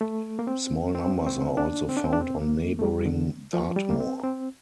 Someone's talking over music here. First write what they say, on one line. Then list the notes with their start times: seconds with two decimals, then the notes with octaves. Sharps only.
Small numbers are also found on neighbouring Dartmoor.
0.01 A3
0.39 A#3
0.47 C4
0.95 C4
1.26 C4
1.57 D4
1.89 C4
1.97 D4
2.04 C4
2.13 D4
2.21 C4
2.36 A#3
2.79 A3
2.82 G3
3.06 D3
3.53 F3
3.76 G3
3.90 A#3
4.00 C4
4.24 C4